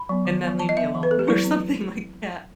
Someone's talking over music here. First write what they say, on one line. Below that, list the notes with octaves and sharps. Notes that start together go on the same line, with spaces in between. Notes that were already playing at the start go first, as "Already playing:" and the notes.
and then leave me alone or something like that.
Already playing: B5
F#3 B3
D#3
B3
F#3
E3 A5
D#5
B3 E5
E3
B4
B3 A4
G4
F#3 E4
C4